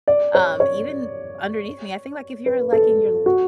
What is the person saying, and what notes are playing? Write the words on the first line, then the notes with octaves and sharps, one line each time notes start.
um, even underneath me. I think, like, if you're, like, in your l
D5
C#5
C#5
B4
A4
F#4